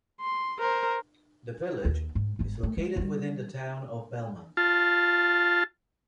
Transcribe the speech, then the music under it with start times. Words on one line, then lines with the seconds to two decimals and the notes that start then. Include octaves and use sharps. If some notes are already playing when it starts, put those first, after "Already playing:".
The village is located within the Town of Belmont.
0.21 C6
0.59 A#4 C5
1.85 D#2
2.15 G#2
2.39 G1 G#2
2.63 A3
2.77 G#3
2.96 D#3 G3
4.57 F4 A5